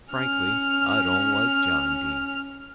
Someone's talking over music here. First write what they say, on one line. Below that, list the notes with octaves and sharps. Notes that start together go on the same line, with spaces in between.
"Frankly, I don't like John Dene."
C#4 F6